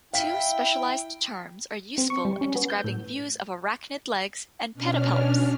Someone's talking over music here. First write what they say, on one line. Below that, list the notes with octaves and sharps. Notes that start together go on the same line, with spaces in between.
Two specialized terms are useful in describing views of arachnid legs and pedipalps.
E4 F5 G5 B6
C4
C#6
G3
C#4
B3
G6
A2
B2 C#4 D4 F6